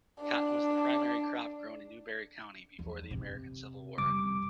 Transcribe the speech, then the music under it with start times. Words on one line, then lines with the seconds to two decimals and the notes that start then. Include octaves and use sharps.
Cotton was the primary crop grown in Newberry County before the American Civil War.
0.22 D4
2.79 E2
3.11 C3
3.98 F1 C#3 G3 D6